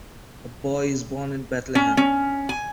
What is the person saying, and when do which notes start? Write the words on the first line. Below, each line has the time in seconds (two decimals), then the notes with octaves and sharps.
A boy is born in Bethlehem.
1.75 C#4
1.97 C#4
2.49 G#5